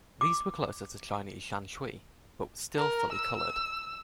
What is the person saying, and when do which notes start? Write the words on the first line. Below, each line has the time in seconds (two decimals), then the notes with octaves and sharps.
These were closer to Chinese shan shui, but still fully coloured.
0.21 D6
2.78 A#4
3.12 E6